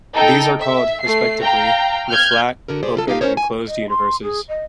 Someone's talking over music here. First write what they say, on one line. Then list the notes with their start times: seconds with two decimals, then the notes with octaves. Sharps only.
These are called, respectively, the flat, open and closed universes.
0.13 D#4 A4 G5
0.60 E5
1.01 A3 C7
1.41 F5 G5 A#5
2.09 F6 G6 G#6
2.68 D3 F#4 A#4
2.83 G4 G#4 C5 D5
2.95 C#3 F4 A4
3.08 D#4 G4 F5
3.21 C#4 D#4 A#4 C5 C#5
3.37 G#5
3.68 D#5
3.90 C6
4.22 G#4
4.48 D#5